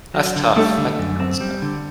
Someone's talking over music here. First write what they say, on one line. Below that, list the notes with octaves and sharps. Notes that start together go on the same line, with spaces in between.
That's tough. That sounds tough.
F#3
D3
G3 A3
D3
F#2
C4
G3
D3